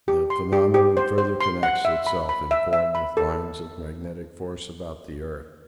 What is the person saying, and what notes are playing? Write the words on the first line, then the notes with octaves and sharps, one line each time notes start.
The phenomenon further connects itself in form with lines of magnetic force about the earth.
G4
C6
G4
G4
C5
C5
C6
F#5
E5
B5
B5
E5
E5
B5
A4